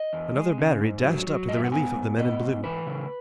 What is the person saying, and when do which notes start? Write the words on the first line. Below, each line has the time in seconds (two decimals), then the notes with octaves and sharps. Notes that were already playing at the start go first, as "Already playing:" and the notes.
Another battery dashed up to the relief of the men in blue.
Already playing: D#5
0.13 E2
0.36 G#3
0.58 C#3
0.81 G#2
1.04 F#3
1.27 F#3
1.49 G#2 D#5
1.57 E5
1.64 F#5
1.72 B3 G#5
1.95 G#2
2.18 B3 D#5
2.41 G#2
2.64 E3 B4
2.86 C#3